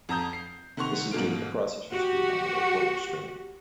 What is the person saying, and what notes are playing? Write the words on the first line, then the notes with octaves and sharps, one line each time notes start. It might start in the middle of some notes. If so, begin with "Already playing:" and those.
This is due to the processor speed on the AirPort Extreme.
F2 A5 A#5 D#6 G6
C7
C3 D#3 F#5 C6 C#6 F7
G#2 B2 A#3 F5 D7
F#4 G4